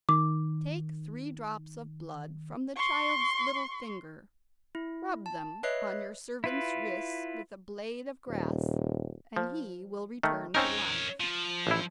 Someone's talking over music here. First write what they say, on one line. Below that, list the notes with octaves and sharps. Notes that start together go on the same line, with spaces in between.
Take three drops of blood from the child's little finger, rub them on your servant's wrists with a blade of grass and he will return to life.'
D#3 D6
C6 C#6
E4
A5
B4 C#5 D#5 E5 F#6 C7
E4 F4 B4
D#1
F3
D#3 A3
C4 C#4 D#4 A#4 C#5
F3
A1 E4